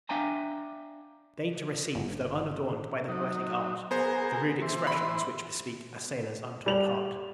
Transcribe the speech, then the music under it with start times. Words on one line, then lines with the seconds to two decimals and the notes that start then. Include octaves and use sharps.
Deign to receive, though unadorn'd By the poetic art, The rude expressions which bespeak A Sailor's untaught heart!
0.09 D4 E5 F5 G5 G#5 A#5
1.95 G1
3.09 F#3 D#4
3.91 B3 G#4 A#4 C5
4.62 E3 C5
4.87 B5
6.66 G3 F7 F#7